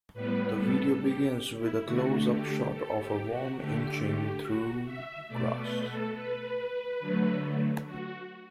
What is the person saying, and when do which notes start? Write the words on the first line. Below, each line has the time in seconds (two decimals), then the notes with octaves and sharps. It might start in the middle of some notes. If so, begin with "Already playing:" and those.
The video begins with a close-up shot of a worm inching through grass.
0.14 A2 G3 B3 B4
0.56 A4
0.99 G4
1.57 E4
1.85 D3 A3 F#4
2.28 G4
2.71 A4
2.99 G4
3.28 F#4
3.57 D3 A3 G4
4.00 G4
4.42 F#4
4.85 E5
5.28 B2 A3 D5
5.56 B4
5.85 A4
6.14 B4
7.00 D3 F#3 A3
7.85 F#4